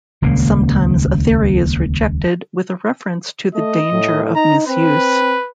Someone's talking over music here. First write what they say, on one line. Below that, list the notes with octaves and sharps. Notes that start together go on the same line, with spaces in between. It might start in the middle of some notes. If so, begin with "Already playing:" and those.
Sometimes a theory is rejected with a reference to the danger of misuse.
D#1 C#2 C#3 A#3
A3 D#5
A2
D#4 A#5
C4 B4